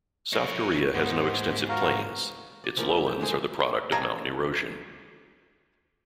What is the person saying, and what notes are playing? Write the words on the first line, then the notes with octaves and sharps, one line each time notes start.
South Korea has no extensive plains; its lowlands are the product of mountain erosion.
A#4 C#5
G#2 B3 C5
F#4 F5 A#5
D5
E3 F3 G#3 A#3
E5
G5
D3 G#3 G#4 C5
C#5 D#5 F5 G5 A5 A#5